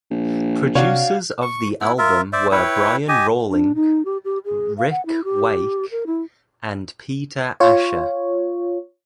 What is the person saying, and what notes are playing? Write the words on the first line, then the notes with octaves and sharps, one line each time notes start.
Producers of the album were Brian Rawling, Ric Wake and Peter Asher.
A#1
C3 D4 F#4 C#5 F5
C#6
B3 E4
F4 A#4 E5
C5 D5 E5
E4 B4 C#5 G5
G4 D#5 G#5
D4
D#4
G4
G4
G#4
F5
F#5
E4
G4
A#4
E4
F4 C#5